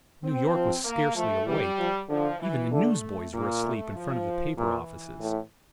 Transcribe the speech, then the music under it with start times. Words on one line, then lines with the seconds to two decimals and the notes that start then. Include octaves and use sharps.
New York was scarcely awake; even the newsboys were asleep in front of the paper offices.
0.23 C4
0.54 F3
0.85 A#3
1.16 F3 A3
1.47 E3 G3
1.78 F3
2.09 D3 F3
2.40 E3
2.71 D3 A3
3.33 A#2 A#3
3.64 A3
3.95 F3
4.58 A#2 E3
5.20 A2